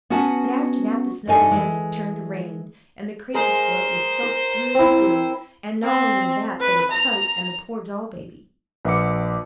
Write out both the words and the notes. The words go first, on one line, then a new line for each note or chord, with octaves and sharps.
But after that the snow began to turn to rain, and the crazy quilt was soaked through and through: and not only that, but his coat and the poor doll-baby.
B3 C#4 F#4 B4 F#5 A5
G2 C3 D#4 A4 C#5 G#5
E3 G#3
G#3 A#4 C5
A#4
C4 E4
C4
B4
A#5
A#1 B4 E5 F#5 D6 C#7